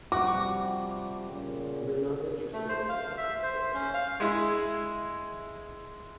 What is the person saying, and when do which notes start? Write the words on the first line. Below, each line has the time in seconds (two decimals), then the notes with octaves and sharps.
We're not interested in a logic course.
0.12 C3 F3 G3 F#4 D6
1.30 A#2 C#3
2.53 A3
2.69 C5
2.89 F5
3.17 E5
3.43 C5
3.74 C#4
3.94 F5
4.20 G#3 E4